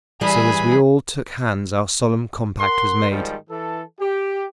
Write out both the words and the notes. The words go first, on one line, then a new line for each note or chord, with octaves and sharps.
So as we all took hands our solemn compact was made.
E3 G3 G#4 B5
A#4 F#5 C6
G#2 D#3 F3 G3 G#3
E3 A4
G4